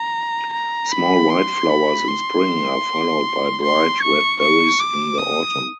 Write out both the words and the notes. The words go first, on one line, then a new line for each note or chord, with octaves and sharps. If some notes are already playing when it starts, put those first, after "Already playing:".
Small white flowers in Spring are followed by bright red berries in the Autumn.
Already playing: A#5
A#5
B5
C6
B5
C6
C6
C#6
C#6
D6
D#6